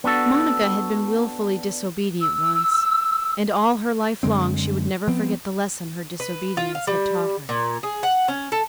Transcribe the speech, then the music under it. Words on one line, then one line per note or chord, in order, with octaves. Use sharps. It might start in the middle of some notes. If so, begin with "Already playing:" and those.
Monica had been wilfully disobedient once, and all her life long she would never forget the lesson her disobedience had taught her.
B3 D4 F#4 A4
E6
F#2 D3 G#3 C4
F3 B3 C4
B4
F4
F5
G3
A#2
G#4
F#5
C#4
A4